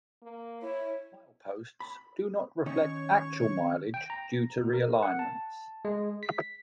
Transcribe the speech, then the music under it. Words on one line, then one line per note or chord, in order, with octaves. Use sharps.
Mileposts do not reflect actual mileage due to realignments.
A#3
E4 C#5
B5
D#3 C#4 D#4 C#5 C#6
G5
A#5
B2
A#4
F#5
A5
G#3
B6